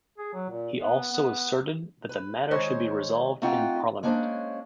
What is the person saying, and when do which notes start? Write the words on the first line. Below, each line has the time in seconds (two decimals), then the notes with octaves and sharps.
He also asserted that the matter should be resolved in parliament.
0.18 G#4
0.34 F#3
0.49 A#2
0.79 B3
1.12 B3
2.09 B4
2.51 D#3 G#3 C5 C#5
3.42 A3 C4 D#4 F4 F#5 G5
4.03 G#3 A#3 C#4 D4 C5